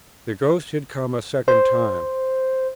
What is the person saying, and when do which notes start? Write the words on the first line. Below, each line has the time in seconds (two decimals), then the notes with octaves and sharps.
The ghost had come a second time.
1.48 C5